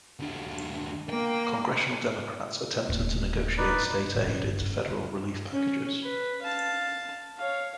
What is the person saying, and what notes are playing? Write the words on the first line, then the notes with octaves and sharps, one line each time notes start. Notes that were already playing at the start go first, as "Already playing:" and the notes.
Congressional Democrats attempted to negotiate state aid into federal relief packages.
D#2 D4
A#3 G5
D#1 A2
D#4 B4 D5
A2 C3
C#4
G1
C#3
F#2
C#4
B4
F5 A5
C#5 F5